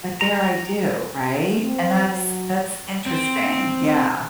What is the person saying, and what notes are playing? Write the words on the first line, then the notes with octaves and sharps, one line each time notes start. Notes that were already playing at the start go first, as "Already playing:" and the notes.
But there I do, right? And that's that's interesting, yeah.
A#5
C4
F#3
C4